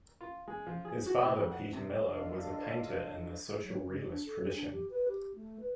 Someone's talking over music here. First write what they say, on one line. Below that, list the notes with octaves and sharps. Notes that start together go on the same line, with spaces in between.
His father Peter Miller was a painter in the social realist tradition.
F4
G#3
F3
G#4
F#4
A2
F2
F#5
C3
D4 F4 A4 D#5
F#3
C#3
D4
A4
D4
G4
B4
G4
A3
B4